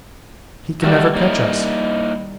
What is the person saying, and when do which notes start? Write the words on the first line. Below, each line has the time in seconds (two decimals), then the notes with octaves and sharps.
He can never catch us.
0.83 D#3 G3 F#4 A4 D5 E5
1.15 A#3 D#4 E4